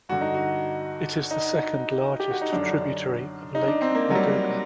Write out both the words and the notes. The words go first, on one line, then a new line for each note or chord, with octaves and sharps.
It is the second largest tributary of Lake Ladoga.
G2 D3 F#4
D#4
F#4
D#4
G4
F#4
D#4
F#2 D3 D4
D#4
D4
C4
A#3
F#3
G3